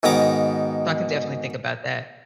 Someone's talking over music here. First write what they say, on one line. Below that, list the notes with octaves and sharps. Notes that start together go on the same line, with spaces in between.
So, I can definitely think about that.
G#2 B2 D#3 A#5 D6